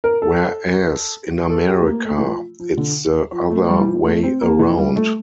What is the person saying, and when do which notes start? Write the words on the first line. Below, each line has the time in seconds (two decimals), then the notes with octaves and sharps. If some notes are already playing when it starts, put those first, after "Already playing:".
Whereas in America it's the other way around.
0.04 A#4
0.22 A4
1.50 A4
1.68 G4
1.80 A3
1.86 A#3
2.05 A3
2.18 E3
2.23 F3
2.60 F3
2.77 D3
3.32 F3
3.50 A3
3.69 G3
3.80 E3
3.87 F3
4.04 A3
4.23 C4
4.41 A#3
4.59 E3
4.78 G3
4.96 A3